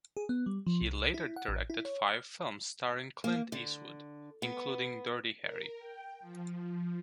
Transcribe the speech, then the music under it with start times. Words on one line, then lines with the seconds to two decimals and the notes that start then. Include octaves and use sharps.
He later directed five films starring Clint Eastwood, including "Dirty Harry".
0.17 G#4
0.29 B3
0.46 G3
0.66 F3
0.82 C2
1.14 E4
1.36 F#5
1.48 A1
1.70 E4
1.85 C#5
2.07 F6
3.24 A#3
3.52 D3
4.42 B3
5.41 A#4
5.79 G5
6.20 F3